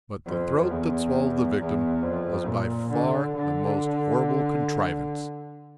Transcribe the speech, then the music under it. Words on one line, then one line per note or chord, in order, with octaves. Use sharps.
But the throat that swallowed the victim was by far the most horrible contrivance.
F2
E2
E2
F2
A#2
D3
D3